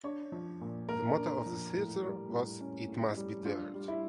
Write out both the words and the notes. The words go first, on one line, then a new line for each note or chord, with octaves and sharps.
The motto of the theatre was "It must be dared".
D4 C#5
F3
A#2
A#3 A#4
D4
F3
A2
G3
A2
C#4
A2
G3
D4 F4
G3
E4